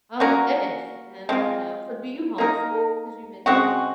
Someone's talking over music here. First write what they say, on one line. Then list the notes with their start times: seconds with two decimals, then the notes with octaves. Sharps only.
Oh my goodness, and, you know? So, do you homeschool? 'Cause you mentioned that.
0.20 A#3 C#4 F#4 A#4
1.29 G#3 C4 F4
2.38 A#3 D#4 A#4
3.46 C#3 G#3 C4 F#4